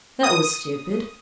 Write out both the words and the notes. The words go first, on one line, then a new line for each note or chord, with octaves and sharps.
'That was stupid.
D#6